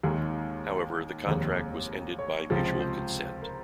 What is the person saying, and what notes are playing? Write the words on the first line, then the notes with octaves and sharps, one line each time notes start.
However, the contract was ended by "mutual consent".
D#2 D#3 G#3 G#4
F1 D#2 D#3 G#3
C#5
C#2 C3 F3 G#3
C5
A#4